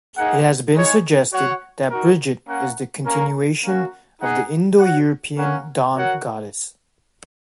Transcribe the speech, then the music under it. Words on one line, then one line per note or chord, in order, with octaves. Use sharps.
It has been suggested that Brigid is a continuation of the Indo-European dawn goddess.
A#3 D#4 G#4 F#5
G#3 D#4 G#4 C#5
F#4 C#5 F#5
D#4 F#4 A#4
A#3 C#4 A#4 F#5
A#3 C#4 A#4
A#3 C#4 F#4
D#4 G#4 F#5
F#4 C#5 F#5
A#3 C#4 A#4 C#5 F#5
F#4 A#4 C#5 F#5